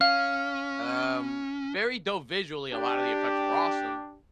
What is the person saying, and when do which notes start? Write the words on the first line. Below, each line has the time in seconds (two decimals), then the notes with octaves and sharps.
Um, very dope visually, a lot of the effects were awesome,
0.01 C#4 F5 F6
2.72 D4 G4